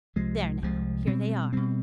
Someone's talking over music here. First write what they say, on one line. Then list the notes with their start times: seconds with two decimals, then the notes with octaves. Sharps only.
There now, here they are.
0.16 C2 C3 F3 G#3
0.62 C2 C3 F3 G#3
1.07 B2 G3 C4
1.53 B2 G3 C4